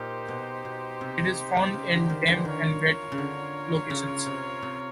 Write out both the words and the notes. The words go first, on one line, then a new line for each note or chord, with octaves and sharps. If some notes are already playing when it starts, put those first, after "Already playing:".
It is found in damp and wet locations.
Already playing: A#2 D#4 G4 C5
B2
B2
C3
C#3
D3
D#3
D3 E3
D#3 F4 A#4 C#5
C#3
D3
C#3
C3
C3